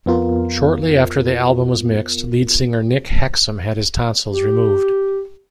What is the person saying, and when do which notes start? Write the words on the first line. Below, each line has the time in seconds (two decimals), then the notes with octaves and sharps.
Shortly after the album was mixed, lead singer Nick Hexum had his tonsils removed.
0.06 F2 B3 F4 A#4
4.31 G4